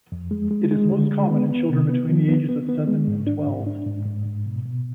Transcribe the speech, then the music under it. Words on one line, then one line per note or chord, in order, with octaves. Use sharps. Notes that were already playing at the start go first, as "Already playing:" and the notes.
It is most common in children between the ages of seven and twelve.
F2
G#3
G#3
G#3
D3
G#3
B3
B3
C3
B3
F3
B3
B3
B3
G#3
G#2
D4
G#2
D4
G#2
G#2
G#2
B2
B2